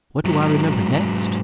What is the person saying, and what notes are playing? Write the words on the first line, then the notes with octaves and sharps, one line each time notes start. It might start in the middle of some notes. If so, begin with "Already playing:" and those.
What do I remember next?
G#2 F#3